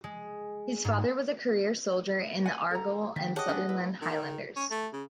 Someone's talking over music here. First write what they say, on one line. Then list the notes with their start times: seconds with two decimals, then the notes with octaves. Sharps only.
His father was a career soldier in the Argyll and Sutherland Highlanders.
0.04 G#3
0.85 G#2
2.46 F#5 G#5
2.71 A4 A#5
3.16 D#3 G5 B6
3.36 G4 G#4 C#5 D#5 F#5 A5
3.48 B3 C#4 D4
3.69 E4 B4
4.02 D#3
4.56 C#4
4.71 A3
4.93 C#3